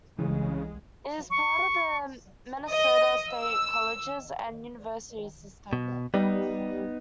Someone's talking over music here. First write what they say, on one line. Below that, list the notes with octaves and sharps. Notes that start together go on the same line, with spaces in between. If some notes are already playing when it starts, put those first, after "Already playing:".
It was part of the Minnesota State Colleges and Universities System.
C2 C#3 E3 G#3
C#6
D#5
E6
B2
G3 B3 D#4